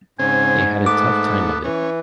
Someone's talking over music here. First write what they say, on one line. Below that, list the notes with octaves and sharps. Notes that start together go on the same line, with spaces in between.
They had a tough time of it.
G#2 C#3 C4 G#5
A3 B3 D6
E3 C#4